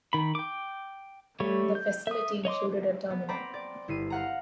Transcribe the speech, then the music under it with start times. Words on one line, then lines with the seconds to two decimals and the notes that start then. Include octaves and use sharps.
The facility included a terminal.
0.13 D#3 B5
0.35 G5 D6
1.40 G3 A3 C#5
1.75 G6
2.07 E5 D#6
2.45 C#5 D#5 C6 D6
3.10 B3
3.29 C4 D5 A#5 B5
3.54 D5
3.88 G1 E4 C7 D#7
4.10 F5 F#5 A#5